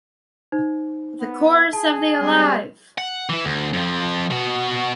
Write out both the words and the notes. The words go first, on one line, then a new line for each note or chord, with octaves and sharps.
The chorus of the Alive!
D#4 C5
B3
G#4 A5
G3 G#3 C4
F#5
E3 E4
D2
F2 F3
B2 F#4